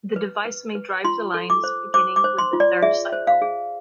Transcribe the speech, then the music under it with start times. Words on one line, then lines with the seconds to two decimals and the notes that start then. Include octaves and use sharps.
The device may drive the lines beginning with the third cycle.
0.16 B4
0.45 B4
0.75 B4
1.05 F4 C6
1.34 A4
1.50 D6
1.64 C5
1.94 C5 D6
2.16 D6
2.24 C5
2.38 C6
2.53 F4
2.60 D5
2.82 G#4 E5
3.12 C5
3.27 F5
3.42 G#4